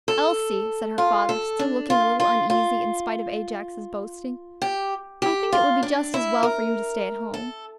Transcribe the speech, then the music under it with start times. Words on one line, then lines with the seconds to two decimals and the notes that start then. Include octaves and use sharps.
"Elsie," said her father, still looking a little uneasy, in spite of Ajax's boasting, "I think it would be just as well for you to stay at home."
0.08 A4
0.98 F4
1.29 A4
1.59 D4
1.90 F4
2.20 F4
2.50 F4
4.62 G4
5.22 G4
5.52 F4
5.83 D4
6.14 E4
6.43 A#4
7.34 A4